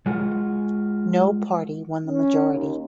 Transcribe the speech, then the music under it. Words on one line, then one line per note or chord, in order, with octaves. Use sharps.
No party won the majority.
G#3 F4 F#4
C#4
D#2